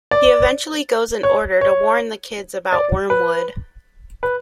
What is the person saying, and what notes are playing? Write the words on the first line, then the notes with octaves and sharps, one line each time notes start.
He eventually goes in order to warn the kids about Wormwood.
D5
C#5
C#5
D5
B4
B4